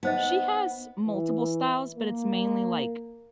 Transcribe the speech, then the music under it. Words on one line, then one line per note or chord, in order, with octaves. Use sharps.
she has multiple styles, but it's mainly, like,
B3 D#4 C5 D#5
E3
A#3